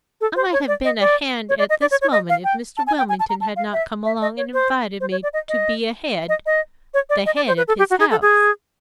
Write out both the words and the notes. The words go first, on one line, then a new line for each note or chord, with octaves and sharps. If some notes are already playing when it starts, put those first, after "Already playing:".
I might have been a hand at this moment if Mr. Wilmington had not come along and invited me to be a head--the head of his house.
A4
C5
C#5
D5
D#5
D5
C#5
D5
D#5
D5
C#5
C#5
D#5
F5
G5
A5
G#5
G5
G#5
A5
A#5
A5
F5
E5
E5
D#5
C#5
C5
C5
C#5
D5
D#5
D#5
D#5
D#5
C#5
D5
D#5
D5
C5
B4
A4
G4
F#4
G#4
A4
G#4